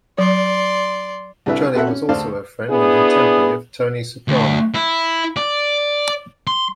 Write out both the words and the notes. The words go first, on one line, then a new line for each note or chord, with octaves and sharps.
Johnny was also a friend and contemporary of Tony Soprano.
F#3 D5 C6
C2 D3 E4 B4 E5
B3 C4 F#4 A4 E5 F#5
C#4
D2 C5 D5 F5 A5
B3 D4 E4 G#4
D2
E4
D5
C6